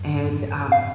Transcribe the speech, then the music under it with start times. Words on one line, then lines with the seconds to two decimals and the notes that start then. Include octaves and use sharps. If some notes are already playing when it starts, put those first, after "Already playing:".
and, um
Already playing: F#2
0.09 G#2
0.24 F#2
0.72 F5